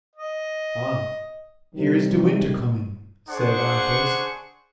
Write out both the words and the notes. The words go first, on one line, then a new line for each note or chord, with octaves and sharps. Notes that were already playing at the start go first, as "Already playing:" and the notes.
"Ah! here is De Winter coming," said Athos.
D#5
C3 D#3 G3
D4 G#4 C5 F#5 C#6